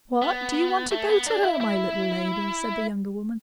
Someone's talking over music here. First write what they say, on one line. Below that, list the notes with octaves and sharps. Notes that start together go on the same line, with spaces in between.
"What! do you want to go to her, my little lady?" said the younger woman.
B3
A3
B3
D4
E4
E4